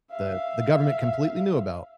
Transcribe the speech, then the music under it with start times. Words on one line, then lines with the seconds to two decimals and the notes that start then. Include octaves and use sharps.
the the government completely knew about,
0.12 E5 F5